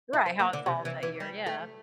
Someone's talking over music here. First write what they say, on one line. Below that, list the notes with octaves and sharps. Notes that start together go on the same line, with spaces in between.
Right, how it falls that year, yeah.
E4
C4
A#3
D3
C3
E3
E3
G3
A3